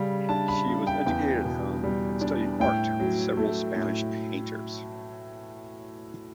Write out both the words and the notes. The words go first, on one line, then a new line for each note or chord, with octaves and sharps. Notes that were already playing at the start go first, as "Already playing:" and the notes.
She was educated at home and studied art with several Spanish painters.
Already playing: C#3 G3
D4 A5
B5
C#3
G5
E2 G5
B2
G3
D4
A2 G5
F#3
A3
A2